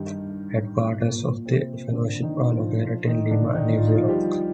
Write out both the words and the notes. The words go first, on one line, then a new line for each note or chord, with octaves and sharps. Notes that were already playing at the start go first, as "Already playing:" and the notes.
Headquarters of the fellowship are located in Lima, New York.
Already playing: G2 D#3 G3 D#4
A#2 A#3
C3 C4
D3 D4
D#3 D#4
F3 F4
F3 F4
D#3 D#4
D3 D4
D#3 D#4
F4
D#4
F3 F4
G3 G4